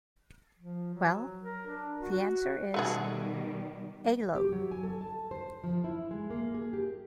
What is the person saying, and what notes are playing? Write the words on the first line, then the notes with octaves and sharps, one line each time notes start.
Well, the answers is... A lo.
F3
F#3
A#4
D4
F#4
B2 D#3 G3 A3 F#4 G#4
G4
F#3
G#5
A4
A5
C5
F3
E4
G#3
A#3
G#4
G4